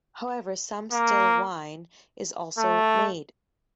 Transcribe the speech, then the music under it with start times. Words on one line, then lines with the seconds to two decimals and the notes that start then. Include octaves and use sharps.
However, some still wine is also made.
0.92 A#3
2.58 A3